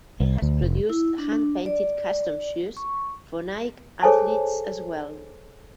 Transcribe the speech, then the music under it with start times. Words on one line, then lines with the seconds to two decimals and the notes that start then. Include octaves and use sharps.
He has produced hand painted custom shoes for Nike athletes as well.
0.20 C2
0.42 D2
0.62 F1
0.90 E4
1.18 D4
1.66 D5
2.77 C#6
4.03 G#4 A4 C5 C#5 G#5 A5